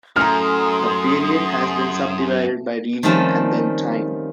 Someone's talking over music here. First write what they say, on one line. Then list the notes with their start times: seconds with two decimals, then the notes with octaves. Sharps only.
The period has been subdivided by region and then time.
0.16 F#2 A2 A3 G#5 A#5 C6 D#6 F6
3.03 D#3 F3 G3 A3 C4 C#4